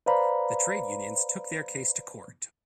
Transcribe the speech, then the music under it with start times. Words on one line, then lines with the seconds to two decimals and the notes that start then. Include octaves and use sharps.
The trade unions took their case to court.
0.06 B4 C5 D5 F5 A#5 B5